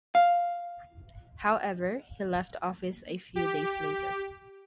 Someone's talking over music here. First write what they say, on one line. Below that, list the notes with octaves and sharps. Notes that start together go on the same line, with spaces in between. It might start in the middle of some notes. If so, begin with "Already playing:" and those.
However, he left office a few days later.
F5
G4